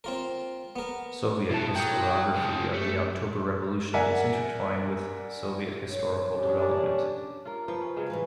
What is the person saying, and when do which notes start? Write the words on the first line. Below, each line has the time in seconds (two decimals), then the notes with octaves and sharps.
Soviet historiography of the October Revolution is intertwined with Soviet historical development.
0.04 C4 F4 A#4
0.76 B3 A#4
1.51 B2 E4 A5
1.76 F#3 G5 D#6
2.36 C#3 F3
2.74 A3 G4
3.94 A#4 D5 E5 F#5 G#5
5.89 C#5
6.37 C#4 D4 G4
7.45 F4 A#4
7.68 F3 B4
7.81 C#4
7.96 C#3 F#3 G#3
8.10 A2 E3 B4